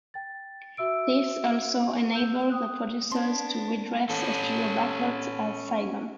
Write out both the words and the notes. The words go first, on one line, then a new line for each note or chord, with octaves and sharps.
This also enabled the producers to re-dress a studio backlot as Saigon.
G5 A6
F#4 E5 E6 D7
E6 G6
G5 D#6 F#6
C#3 B3 C4 D4 A5 C6
C#4 A4